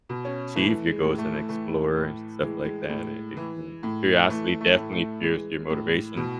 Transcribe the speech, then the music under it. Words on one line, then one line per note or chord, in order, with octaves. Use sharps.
achieve your goals and explore, and stuff like that, it it can curiosity definitely fuels your motivation.
B2
C#4
E3 A3
G#3
A2
A3
E3 A3
A2
E3 G#3
G#3
A2
E3
A2
E3 A3
A3
A2
A3
E3 G#3
A2
B2